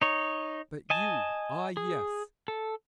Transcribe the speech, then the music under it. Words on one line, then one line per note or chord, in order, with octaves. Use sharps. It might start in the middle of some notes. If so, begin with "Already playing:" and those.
But you,--ah, yes!
D#4 C#5
D#5 G#5 A5
G#4
A4